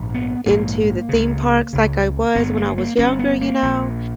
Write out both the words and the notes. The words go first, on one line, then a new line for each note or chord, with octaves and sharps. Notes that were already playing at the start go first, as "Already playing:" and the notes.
into the theme parks, like I was when I was younger, you know?
Already playing: A#1 G#2
B3
A#1 G#2 A#3
C#2 C#3
C#2 C#3
G1 G2 B3
A#3
A#3
G1 G2 C#4
B3
A#3
A#1 A#2